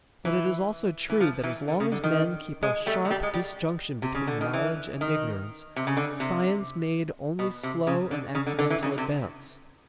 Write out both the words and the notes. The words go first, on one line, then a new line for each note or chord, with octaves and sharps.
But it is also true that as long as men kept a sharp disjunction between knowledge and ignorance, science made only slow and accidental advance.
E3
E3
F3
E3
D3
C#3
D3
D#3
G#3
G3 A3
F#3
G3
G#3
G3
C3
C#3
D3
D#3
E3
D#3
C3
C#3
D3
C3
B2
C3
C#3
D3
C#3
D3
D3
E3
C#3
C3